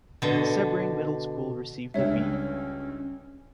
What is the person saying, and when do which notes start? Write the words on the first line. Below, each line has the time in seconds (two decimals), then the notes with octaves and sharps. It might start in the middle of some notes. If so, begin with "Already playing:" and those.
Sebring Middle School received a B.
0.22 B2 D3
1.94 C#2 G2 C#4 C#5 E5